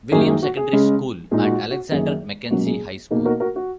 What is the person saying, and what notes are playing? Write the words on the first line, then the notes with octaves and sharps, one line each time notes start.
Williams Secondary School and Alexander Mackenzie High School.
F#2 D#3 F#3 A#3 D#4 G#4
G#4
F#4
G#4
C#3 G#3 C#4
A#2 G#3 D#4 G#4
F#4
F#4
F#2 D#3 A#3 G#4
C#2 B2 F#3 A#3 C#4 F#4
G#4
B2 A#3 D#4 G#4
F#4 A#4
F#4 A#4
F#4